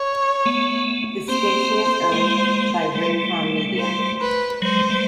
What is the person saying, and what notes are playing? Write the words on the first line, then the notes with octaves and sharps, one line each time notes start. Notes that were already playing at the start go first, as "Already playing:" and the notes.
The station is owned by Raycom Media.
Already playing: C#5
A3 B3
A#3 C4 C5
G#3 A#3
G3 A3
C5
B4
F#3 G#3 C5
G3 A3